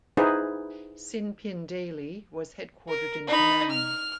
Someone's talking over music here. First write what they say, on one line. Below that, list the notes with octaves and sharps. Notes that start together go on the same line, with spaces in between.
"Sin Pin Daily" was headquartered in Penang.
D#4 E4 G#4 B4 C5
A#4
D#4 B5
F6